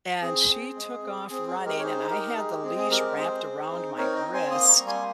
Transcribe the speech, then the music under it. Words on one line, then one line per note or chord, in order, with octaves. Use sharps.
and she took off running and I had the leash wrapped around my wrist,
C4 G#4
C4
G#3
C4
C4 G#4
G#4
G#3
G4 A#4
C#5
D#4 G#4 C5
D#4 G4 A#4
G#3 G#4
G4
C4 G#4
G#4
G#3 G4 A#4
C4 G#4 C5
C4
D#4
C4 A#4 C#5
D#5 G5
C4
G#5 C6
A#3 C6 D#6
A#5 C#6
G3
G#5 C6